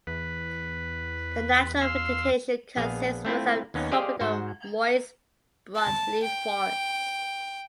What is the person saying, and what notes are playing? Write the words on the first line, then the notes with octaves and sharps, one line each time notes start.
The natural vegetation consists mostly of tropical moist broadleaf forests.
E2 B4
F5 C6 E6
A#1 B3 G#4 F5
A3 C4 E4 F4
D#2 B3 C#4 D#4
G4 G#4 C5 D5 D#5 F5
G#2 F#4 C5
A5
G5